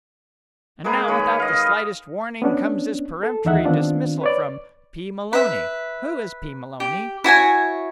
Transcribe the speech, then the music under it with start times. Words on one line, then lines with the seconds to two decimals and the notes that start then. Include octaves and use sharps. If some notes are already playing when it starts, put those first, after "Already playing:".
And now, without the slightest warning, comes this peremptory dismissal from P. Maloney. Who is P. Maloney?
0.84 G#3 A#3 G#4 B4
1.08 D#3 B4 C#5
1.40 D#5 F5
2.42 B3 C#4 D4
3.23 A4
3.45 D#2 E3 D#4 E5 F#5
3.64 D#3 B3 C4 D4 F4
4.21 B4 C#5 D5
5.33 B4 E5
6.80 G4
7.24 E4 F#4 C#5 G#5